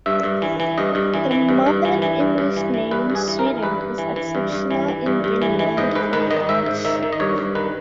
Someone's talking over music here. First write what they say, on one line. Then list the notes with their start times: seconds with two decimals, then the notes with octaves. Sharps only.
The modern English name "Sweden" is exceptional in being loaned from Dutch.
0.06 G2 E5
0.23 G2
0.42 E3
0.60 E3
0.78 G2 D#5
0.95 G2
1.14 E3
1.31 E3
1.49 G2
1.66 G2
1.85 E3
2.02 E3
2.20 G2
2.38 G2
2.57 E3
2.74 E3
2.91 G2 B4
3.10 G2
3.15 G#4
3.28 E3
3.39 A#4
3.45 E3
3.63 G2 B4
3.81 G2
3.98 E3
4.16 E3
4.35 G2
4.52 G2
4.71 E3
4.88 E3
5.06 G2
5.24 G2
5.42 E3
5.59 E3
5.77 G#2 D#5
5.95 G#2 B4
6.13 D#3 B4
6.31 D#3 D#5
6.49 G#2 E5
6.66 G#2
6.85 D#3 E5
7.03 D#3
7.13 D#5
7.20 G2 C#5
7.38 G2
7.55 D#3 B4